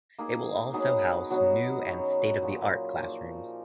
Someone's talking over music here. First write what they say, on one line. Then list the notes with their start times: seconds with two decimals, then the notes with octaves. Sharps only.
It will also house new and state-of-the-art classrooms.
0.19 A#3 D#4 G#4
0.73 F#3 B3 D#4 G#4
1.30 B2 F#3 B3 D#4
1.85 B2 F#3 C#4
2.42 A#2 F#3 C#4 F4
2.98 F3 A#3 D#4 A#4